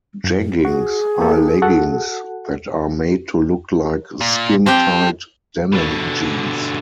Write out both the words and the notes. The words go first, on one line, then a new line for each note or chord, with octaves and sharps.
Jeggings are leggings that are made to look like skin-tight denim jeans.
F#2
F#4 G#4
A#3 G4 A4
F#4 A4 F#5
A#2
F3 C4 G4 G5
B2 D3